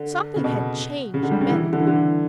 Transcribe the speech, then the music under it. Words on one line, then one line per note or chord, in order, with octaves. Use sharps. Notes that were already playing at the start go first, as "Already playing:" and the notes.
Something had changed Benda.
Already playing: D3
C#3
B2
C#3
D3
G3
C#3
E3
E3
D3
E3
D3